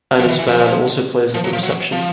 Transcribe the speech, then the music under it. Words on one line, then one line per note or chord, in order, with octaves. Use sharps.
Anna's band also plays at the reception.
F3
E3
E3
F3
F3
F#3
F3
F#3
F3